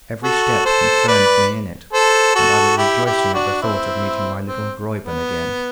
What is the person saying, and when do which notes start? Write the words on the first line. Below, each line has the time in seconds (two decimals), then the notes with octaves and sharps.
Every step confirmed me in it, and I was rejoicing at the thought of meeting my little Graeuben again.
0.23 F#4 A4
0.65 A4 C5
1.08 B4 D5
1.93 A4 C5
2.35 F#4 A4
2.77 E4 G4
3.05 E4 G4
3.34 D4 F#4
3.62 C4 E4
4.47 C4
5.04 B3